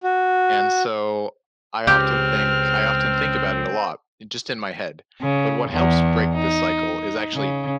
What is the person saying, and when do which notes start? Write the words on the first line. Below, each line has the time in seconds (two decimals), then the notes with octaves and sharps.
And so I often think I often think about it a lot, just in my head. But what helps break this cycle is actually
0.03 F#4
1.87 C#2 C#3 C4 G4 F6
5.21 C#3
5.71 E2
6.35 D#4
7.34 C#3